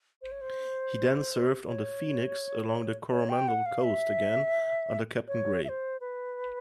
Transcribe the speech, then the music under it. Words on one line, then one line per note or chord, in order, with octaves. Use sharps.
He then served on the "Phoenix" along the Coromandel Coast again under Captain Gray.
C5
C#5
C5
C#5
C#5
G5
F#5
F5
E5
C#5
E5
C5
B4